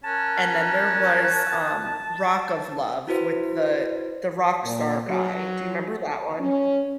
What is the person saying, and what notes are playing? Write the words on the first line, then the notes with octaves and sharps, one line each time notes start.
and then there was, um, Rock of Love with the the rockstar guy. Do you remember that one?
C#4 A#4 A5 F#6
E4 F#4 B4 C5
A#2
F#3
C#4